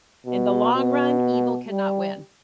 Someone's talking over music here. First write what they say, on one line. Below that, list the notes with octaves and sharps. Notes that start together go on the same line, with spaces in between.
in the long run, evil cannot win.
B2
B2
G3